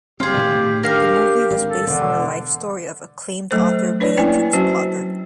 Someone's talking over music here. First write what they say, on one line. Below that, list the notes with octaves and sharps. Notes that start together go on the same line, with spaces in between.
The movie was based on the life story of acclaimed author Beatrix Potter.
F#1 G3 C4 F4 G4 G#4
A2 D#3
D4 G4 A#4 F5
G#1
A4
E1 B2 D3
F#3 A3 A4 C5
D4 B4 C#5 D5
A#3 C#4 E4 D5 G5 G#5
F#3 C#4 F#4 C5 A5